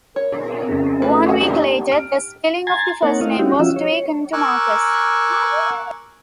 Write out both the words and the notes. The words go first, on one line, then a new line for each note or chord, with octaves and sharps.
One week later, the spelling of the first name was tweaked to Marcus.
A#4 C#5
F2 C#3
A3 F4 F#4 B4
A#3 D4 D#4 G4
F6 D7
G#5 A#5 C6 G#6 A6
A#3 C4 D#4 A#4 C#5 F#5
A3 E4 D#5 F5
G3 C#4 D#4 E4 F#4 G4
F3 C#4 F4 F#4 E5
C#5
A#4 G#5 C#6 D6 E6 F#6